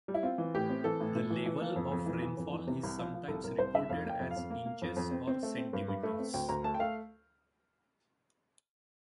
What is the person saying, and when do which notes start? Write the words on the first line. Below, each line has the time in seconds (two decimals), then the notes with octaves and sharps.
The level of rainfall is sometimes reported as inches or centimetres.
0.08 G3
0.14 E4
0.23 C4 F4
0.38 E3
0.55 A2 G4
0.70 C4
0.84 E3 A4
1.00 A2
1.15 A2
1.30 E3
1.46 E3
1.61 A#3
1.76 F2
1.91 F2
2.06 E3
2.22 E3
2.37 F2
2.53 E3
2.67 C3
2.83 C2
2.99 F3
3.14 F3
3.28 C2 A4
3.44 C2 A#4
3.59 C2 C5
3.75 C2 E5
3.89 F2 F5
4.05 A#3 G5
4.20 F2
4.31 F5
4.36 F2
4.50 A#3
4.66 A#3
4.82 F2
4.96 F2
5.11 C4
5.28 C4
5.43 A3
5.57 C4
5.73 G2
5.88 G2
6.03 A3
6.19 C4
6.34 D2 G5
6.49 D2 A#5
6.64 A3 A5
6.74 G5
6.80 A3 F5